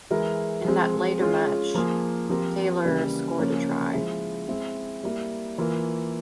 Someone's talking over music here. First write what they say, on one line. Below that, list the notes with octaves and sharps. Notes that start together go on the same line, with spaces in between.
In that latter match Taylor scored a try.
E3 G#3 E4 A#4
F3 G#3 C4
G#3 C#4 F4 G#4
F3 A#3 F4 G#4
F3 C4 G4 A#4
C#3 E3 G3 A#3
C#3 F3 A#3 C#4
F3 G#3 E4
G#3 C4 E4
G3 A#3 E4
E3 A#3 F4 A#4